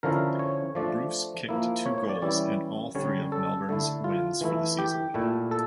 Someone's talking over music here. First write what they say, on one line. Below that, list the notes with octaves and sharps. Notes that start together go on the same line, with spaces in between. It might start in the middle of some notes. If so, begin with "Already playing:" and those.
Bruce kicked two goals in all three of Melbourne's wins for the season.
D3 F3 C#4 E4 A#4
C#5
F3 A3 D4 D5
F3 A#3 E4
C#5
C#5
D5
E3 G3 C#4 E4 D5
D3 G3 C#4 C#5
A4
D3 A3 E4
F4
E3 A3 E4
G4
A#2 A3 E4
A4